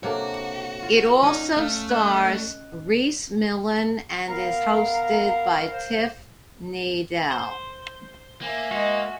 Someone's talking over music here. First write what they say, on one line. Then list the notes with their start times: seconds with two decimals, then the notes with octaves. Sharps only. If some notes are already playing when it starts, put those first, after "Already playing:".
It also stars Rhys Millen and is hosted by Tiff Needell.
0.03 C3 A#3 D4 F#4 A4 C#5
0.83 F4
1.23 C#4 D#4 F#5
1.57 A3 F5
1.89 D#5 F#6
4.27 B3 A#4 F5 A#5
5.72 C5
7.31 C5
8.41 A#3 E5 G#5
8.71 G#3 A#3 F#4